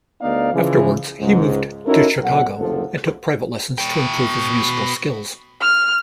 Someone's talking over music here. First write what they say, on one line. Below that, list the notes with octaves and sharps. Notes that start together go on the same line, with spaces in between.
Afterwards he moved to Chicago and took private lessons to improve his musical skills.
D2 B3 D#4 D5 F5
C#3 E3 F3
C#2 G#2
C#4 D#4 E4 F#4 A4 A#4
B1 F#5
F#1 D2 C3 F3 A4
B2 G5
F6